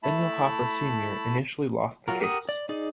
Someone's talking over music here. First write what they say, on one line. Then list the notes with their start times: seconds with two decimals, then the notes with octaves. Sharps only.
Daniel Hofer Senior initially lost the case.
0.03 A3 E4 A5 B5
2.08 F#3 F4 F#4 A#4
2.20 G4 A#4 F#5 D#6
2.49 D5
2.69 D#4 G#4 D5